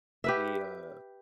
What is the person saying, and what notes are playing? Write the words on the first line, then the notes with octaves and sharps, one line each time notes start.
the, uh
G4 B4 E5